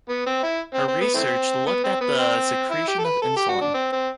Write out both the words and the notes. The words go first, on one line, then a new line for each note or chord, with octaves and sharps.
Her research looked at the secretion of insulin.
B3
C4
E4
C4
C4
B3
E3 A3 C4
B3
C4
B3
C4
E4
G4
A4
B4
A4
G4
F#4
D4
C4
C4